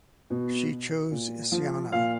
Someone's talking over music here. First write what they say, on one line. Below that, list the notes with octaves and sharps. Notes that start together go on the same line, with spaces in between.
She "chose" Isyana.
B2
A#2
F3
A#2 F5